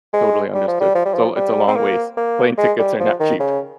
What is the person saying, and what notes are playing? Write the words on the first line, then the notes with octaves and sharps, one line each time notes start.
totally understood. So, it's a long ways. Plane tickets are not cheap.
G#3
G3
F3
G3
F3
G3
F3
G3
C4
A#3
A#3
G#3
G3
F3
D#3
C#3